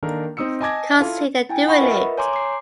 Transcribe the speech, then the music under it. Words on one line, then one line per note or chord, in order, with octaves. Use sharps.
Consider doing it!
D#3 A#3 D4 A4 A#4
C4 D#4 D#6 E6 C#7
D#5 G#5 A5 D6 G#6 A#6
E4 F4 A4
E4 G5 G#5
F#5 B5 C#6
F4 A#4 B4 D#5 E5
C#5 G#5 A#5 C6 D6
D6 C7